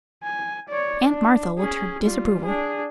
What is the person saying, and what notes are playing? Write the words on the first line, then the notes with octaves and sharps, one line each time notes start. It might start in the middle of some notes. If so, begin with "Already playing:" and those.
Aunt Martha looked her disapproval.
G#5
C#5 D5
D4
C#4 G#4
G3 F4
D4 G#4